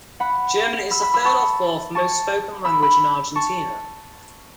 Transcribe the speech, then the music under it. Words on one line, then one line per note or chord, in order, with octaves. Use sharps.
German is the third or fourth most spoken language in Argentina.
F#5 B5
B5 E6
B5 E6
B5 E6
A5 C#6
A5 C#6
B5 E6
B5 E6
A5 C#6